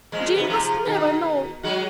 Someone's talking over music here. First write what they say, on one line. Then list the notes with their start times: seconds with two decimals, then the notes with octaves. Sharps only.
Jane must never know.
0.12 A#2 F3 G#3
0.36 G#2 C3 B3
0.47 C3 F3 G#4
0.85 B2 D#3
1.63 F#3 G#3 F#4